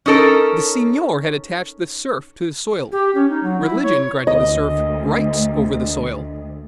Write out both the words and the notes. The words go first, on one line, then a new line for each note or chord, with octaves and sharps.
The seignior had attached the serf to the soil; religion granted the serf rights over the soil.
C#4 D#4 A4 A#4
G4
C#4
D#4
F#3
E4
C#5
D2 D#5